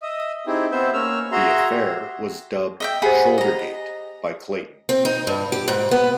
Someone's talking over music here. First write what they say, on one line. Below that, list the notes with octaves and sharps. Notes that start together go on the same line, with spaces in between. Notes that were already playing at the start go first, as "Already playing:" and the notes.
The affair was dubbed "Shouldergate" by Clayton.
D#5 E5 D#6
C4 D#4 E4 G4 G#4
B3 C4 C5 E5
A#3 C#4 E6 F6
F#4 G#4 E5 A#5 C6
G4
D#5 E5 G5
G4 G#4 C5 F#5 B5
D#5 A#5
C4
D#4
G2
G4
G#2
B3